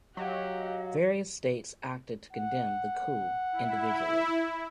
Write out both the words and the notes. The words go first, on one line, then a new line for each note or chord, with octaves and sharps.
Various states acted to condemn the coup individually.
F#3 G4 D#5 F5 F#5
F#5
E4